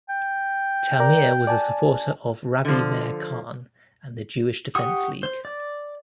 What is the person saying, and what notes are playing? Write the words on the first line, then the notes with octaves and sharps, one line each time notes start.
Tamir was a supporter of Rabbi Meir Kahane and the Jewish Defense League.
G5
A#4 D5 A#5
D5 G#5 A5
D3 F3
G4 F#5 C#6 D#6
C5
D5